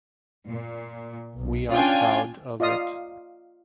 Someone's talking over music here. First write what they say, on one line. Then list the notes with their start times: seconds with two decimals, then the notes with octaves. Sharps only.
We are proud of it.
0.46 A#2
1.38 B1
1.70 C#4 D4 F4 G5 G#5
2.60 F4 D5 D#5 F5 D#6